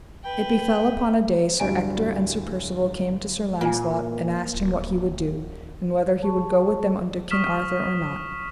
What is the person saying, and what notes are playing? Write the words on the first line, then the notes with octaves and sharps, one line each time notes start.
It befell upon a day Sir Ector and Sir Percivale came to Sir Launcelot and asked him what he would do, and whether he would go with them unto King Arthur or not.
B4 G5
D1 G2 G3 G#5 D7
A#2 A#3 F4 G#5
D1
G#4 A5 C#6
C#6 D#6 F6 B6 E7